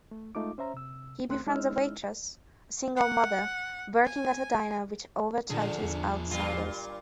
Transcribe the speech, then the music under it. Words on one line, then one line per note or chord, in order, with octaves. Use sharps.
He befriends a waitress, a single mother, working at a diner which overcharges outsiders.
A3
G#3 A3 D#4 F4 D6
C#4 C5 E5 A#5
C3 E6
D#2 A3 C4 C5 C6 F#6
G#3 C#4 D#4 E4 E6 F6
F#5
G#5
A#2 D3 F3 G#4
E2
A#2 G3 F4